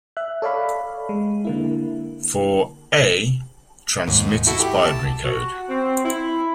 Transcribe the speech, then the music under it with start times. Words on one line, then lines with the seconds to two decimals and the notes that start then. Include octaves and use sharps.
For "a" transmit its binary code.
0.17 E5 F#6
0.42 A4 C#5 D5 F5 B5
1.09 G#3
1.45 D3 A#3 E4
4.07 D#2 G#2
4.47 E4 F#4 A4
4.60 G4
4.85 A5
5.24 F#4
5.69 C4
6.05 E4